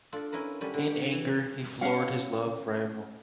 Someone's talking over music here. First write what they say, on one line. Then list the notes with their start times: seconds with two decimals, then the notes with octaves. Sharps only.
In anger, he floored his love rival.
0.12 D4 F4 A4
0.32 C#4 E4 A#4 B4
0.61 D3 G3 C#4 D4
0.74 D3
0.88 G4 G5
1.12 E3
1.81 C#4 F5 F#5